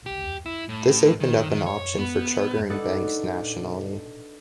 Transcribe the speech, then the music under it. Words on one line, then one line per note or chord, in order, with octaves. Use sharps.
This opened up an option for chartering banks nationally.
G4
E4
A2
D#3
D#3
C#5
B3
D4 D#4 A4 B4 F#5